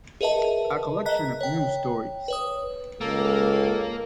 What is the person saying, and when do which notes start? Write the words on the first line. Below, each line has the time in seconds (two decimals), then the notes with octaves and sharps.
A collection of New Stories.
0.21 G#4 A#4 B4 D#5 E5 A5
1.06 D#5 A#5 F#6 B6
1.41 C#5 G5
2.28 B4 C#5 D#6
3.01 C#2 A#3 A4